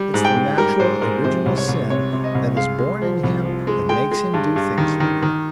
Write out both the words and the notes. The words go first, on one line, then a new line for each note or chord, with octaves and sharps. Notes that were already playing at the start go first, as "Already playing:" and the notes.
It's the natural, original sin that is born in him that makes him do things like that.
Already playing: G3
G#2
G5
G#2
G3 A#4
G#2 C5
G#2 A#4
C3 C5
C2
C#5
C2
C3 C#5
C3
D#5
C2
G#3 F5
G#3
F3
C2
F3
G#3
G#3 G5
G#3
G2
G2
D#3
D#3
D#3